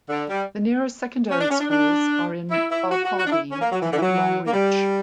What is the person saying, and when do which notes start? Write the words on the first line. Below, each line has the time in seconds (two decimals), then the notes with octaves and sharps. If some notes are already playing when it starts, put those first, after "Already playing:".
The nearest secondary schools are in Barcaldine and Longreach.
0.10 D3
0.29 G3
1.30 C#4
1.41 D4
1.50 C#4
1.60 D4
1.71 D4
2.51 E4
2.71 E4
2.91 F#4
3.05 F#4
3.19 F#4
3.27 D4
3.32 E4
3.52 C#4
3.61 A#3
3.72 F#3
3.82 E3
3.93 D3
3.98 E3
4.02 F#3
4.47 A#3
4.53 G3